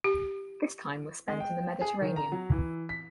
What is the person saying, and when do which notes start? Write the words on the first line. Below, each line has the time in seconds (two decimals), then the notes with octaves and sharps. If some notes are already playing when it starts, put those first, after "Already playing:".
This time was spent in the Mediterranean.
0.04 G4
1.28 G#3
1.40 G5
1.81 G#4
2.02 D#3
2.16 A#5
2.32 F#3
2.52 E3
2.89 B6